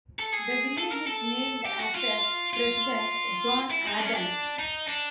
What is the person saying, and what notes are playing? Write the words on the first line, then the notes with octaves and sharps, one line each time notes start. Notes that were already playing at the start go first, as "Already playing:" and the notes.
The village is named after President John Adams.
A4
G#4
A4
A#4
A4
G4
F#4
F4
F4
E4
D#4
D4
C#4
D4
D#4
D4